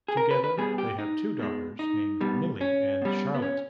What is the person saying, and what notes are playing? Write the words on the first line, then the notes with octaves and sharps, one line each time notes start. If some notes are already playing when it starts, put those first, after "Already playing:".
Together, they have two daughters named Millie and Charlotte.
G#4
A#4
B4
B4
B2 G3 G#4
G4
D#4
B2 G#3
D#4
B2 G3
C#4
B2 G3
B3
C#4